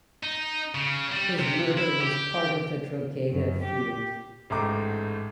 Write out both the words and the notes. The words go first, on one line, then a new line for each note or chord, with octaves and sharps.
His murder was part of the Drogheda feud.
D#4
C#3
G3
C3
E4
G4
F#2
G4
A1 G#2 A3 A4 A#5 D6